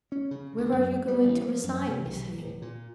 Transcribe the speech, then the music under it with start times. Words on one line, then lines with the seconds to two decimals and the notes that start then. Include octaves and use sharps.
Where are you going to reside, Miss Hale?
0.12 C#4
0.31 C#3
0.58 D2
0.72 F#2
1.08 G3
1.23 A1
1.47 F3
1.63 F#2
1.88 C3
2.05 B1
2.38 D1
2.62 A#2